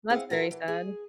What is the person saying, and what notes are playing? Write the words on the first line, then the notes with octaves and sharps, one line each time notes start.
That's very sad.
B3 C4 E4 G#4 F5 F#5
F4 F#4 A4 A#4
E3
G#4